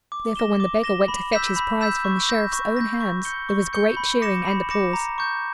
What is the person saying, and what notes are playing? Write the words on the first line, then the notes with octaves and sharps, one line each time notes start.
Therefore, when the beggar went to fetch his prize from the Sheriff's own hands, there was great cheering and applause.
D6
A#6 E7 G7
D6
A#6 E7 G7
B5
E6 G6 B6 E7
B5
E6 G6 B6 E7
C#6
G6 A#6
C#6
G6 A#6
C#6
G6 C#7 G7
C#6
G6 C#7 G7
B5
D6 A#6 C#7 E7
B5
D6 A#6 C#7 E7
A#5
C#6 G6